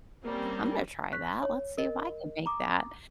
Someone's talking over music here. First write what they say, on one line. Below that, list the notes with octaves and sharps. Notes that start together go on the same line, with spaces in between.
I'm gonna try that, let's see if I can make that,"
G3 A#3 C4 C#4
C#6 F#6 B6
C#5
A#4 D#5
A#5 D6 D#6